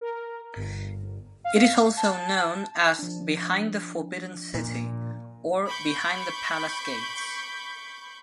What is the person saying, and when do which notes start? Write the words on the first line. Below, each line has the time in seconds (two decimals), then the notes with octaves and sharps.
It is also known as "Behind the Forbidden City" or "Behind the Palace Gates".
0.01 A#4
0.56 G1
1.44 F5
1.97 A5
2.99 F3 D4
4.54 A#2
5.68 B5 C#6 D6 G6